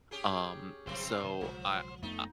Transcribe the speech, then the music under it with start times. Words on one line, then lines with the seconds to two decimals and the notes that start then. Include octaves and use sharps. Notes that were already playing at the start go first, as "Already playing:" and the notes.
Um, so I I
0.11 C#4 G4 G#4
0.87 G1 C3 F#3 C4 C5
1.24 C3 D#3
1.41 B1 C#3 F3 G#3
2.03 F2 A3 B3 D#4